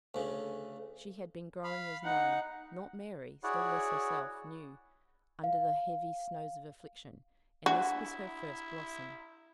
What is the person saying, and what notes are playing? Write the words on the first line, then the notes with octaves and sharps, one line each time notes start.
She had been growing as none, not Mary, still less herself, knew, under the heavy snows of affliction, and this was her first blossom.
D2 C#3
F5 B5
D#4 F#5
E4 F#4 G#4 C#5 D5 F#5
F5
D4 E4 F#4 F#5